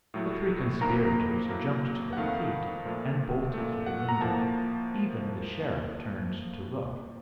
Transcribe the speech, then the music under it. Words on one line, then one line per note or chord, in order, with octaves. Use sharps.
The three conspirators jumped to their feet and bolted for the window; even the sheriff turned to look.
A2 F#3 A3
F2 D#3 A#3 A#5
A2 F#3 A#3
F#5
F2 D#3 A3 F5
A#2 F3 A3
A#2 A3
F#5
A#5
A2 F3 A#3 A5